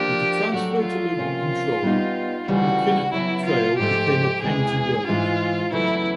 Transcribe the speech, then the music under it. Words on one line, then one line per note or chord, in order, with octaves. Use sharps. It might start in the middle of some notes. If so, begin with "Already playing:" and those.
With the transfer to local control, Mackinac Trail became a county road.
Already playing: F3 A#3 D4 G4
F#3 A3 D4 F#4
F4
C3 F3 A#3 C#4
G3 B3 D#4
D2 C#3 E3 G3 F#4
C#3 F#3 B3 E4
F4
G#2 F3 A3 G4
E2 C3 E3 G#3 G#4
G#2 E3 G#3 F4
E2 C#3 F#3 A3 E4